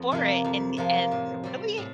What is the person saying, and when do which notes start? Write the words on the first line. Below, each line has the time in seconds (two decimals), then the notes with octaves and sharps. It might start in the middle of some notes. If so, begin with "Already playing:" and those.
for it and and really
Already playing: F2
0.12 C3 F3 A#3
0.44 F2
0.77 C3 F3 A#3
1.11 A2
1.44 G3 C4
1.78 A2